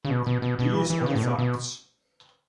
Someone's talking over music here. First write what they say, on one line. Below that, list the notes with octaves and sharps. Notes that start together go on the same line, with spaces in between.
These are the facts.
C#3
B2
B2
B2
B2
E3
E3
B2
C#3
A2
B2
B2